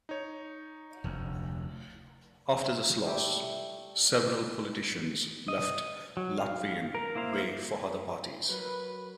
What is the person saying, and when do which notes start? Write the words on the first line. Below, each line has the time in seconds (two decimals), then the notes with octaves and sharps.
After this loss, several politicians left Latvian Way for other parties.
0.09 D#4 C#5
1.04 F1 D2
3.06 G3 A3 E4 G4
5.48 D#5
6.17 F#3
6.38 F5
6.95 A#4
7.15 A#3 E4 C5 F5
8.49 F#3 A#4 B4 B5